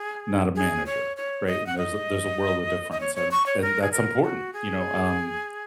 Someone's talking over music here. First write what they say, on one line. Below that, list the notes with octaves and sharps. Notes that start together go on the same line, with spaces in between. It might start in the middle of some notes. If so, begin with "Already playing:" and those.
not a manager, right, and there's a there's a world of difference and and that's important, you know, um,
Already playing: G#4
G#4
C#5
C#5
D#5
F#5
D#5
D#5
C#5
C#5
C#6
C#5
A#4
G#4
A#4
F#4
G#4